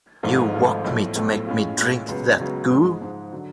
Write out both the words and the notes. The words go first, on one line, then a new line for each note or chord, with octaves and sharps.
You woke me to make me drink that goo.
G#1 G#2 F3 A3 F4
G#1 G#2 F3 A3 F4
B1 A2 F3 A3
B1 A2 F3 A3
A2 G#3 C#4 F4
A2 G#3 C#4 F4
C#2 C#3 F#3 B3
C#2 C#3 F#3 B3
G#2 F3 G#3
G#2 F3 G#3
D3 F#3